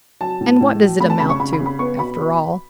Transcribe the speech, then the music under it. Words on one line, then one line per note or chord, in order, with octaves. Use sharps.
And what does it amount to, after all?
F#3 A5
A2
A2
F#3
A3 B5
A5
C#3 B5
C#6
C#3 B5
B5
C#3
B5
B3 C#6
B2 B5
B2